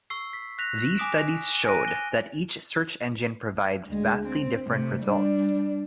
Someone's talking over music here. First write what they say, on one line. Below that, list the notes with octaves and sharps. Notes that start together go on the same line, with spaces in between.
These studies showed that each search engine provides vastly different results.
C#6 E6 C7
B6
F#6 A#6 B6 F7
G#5 D6 D#6 B6 D7 E7
G#5 F6 F#6 A#6 D7 D#7
G7
D2 G#3
C4
C3 A3
G3 D4